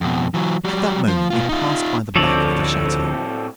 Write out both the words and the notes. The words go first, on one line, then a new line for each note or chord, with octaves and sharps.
At that moment we passed by the back of the chateau.
F2 B2
E3 F#3
F#3 G3
F3
B2 F4
D#4 F4
D2 A2 D3 F3 C4 A4 C#5 D5